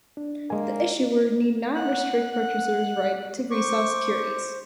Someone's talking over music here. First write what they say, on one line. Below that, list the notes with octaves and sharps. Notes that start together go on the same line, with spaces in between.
The issuer need not restrict purchaser's right to resell securities.
D4
G#3 A#3 G#5
F#5
F#5
C5 C#6 D6